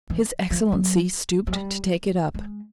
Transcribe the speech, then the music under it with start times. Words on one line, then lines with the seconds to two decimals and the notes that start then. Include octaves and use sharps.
His Excellency stooped to take it up.
0.10 E3
0.51 F3
0.72 F#3
1.47 F#3
1.53 G3
2.34 G#3